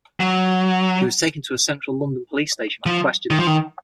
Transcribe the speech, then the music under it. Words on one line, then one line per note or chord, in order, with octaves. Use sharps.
He was taken to a central London police station for questioning.
F#3
F3
D#3
F3
D#3